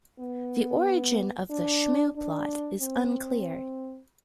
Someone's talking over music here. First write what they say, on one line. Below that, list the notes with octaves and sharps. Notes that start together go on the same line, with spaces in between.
The origin of the shmoo plot is unclear.
B3
D4
D4
C4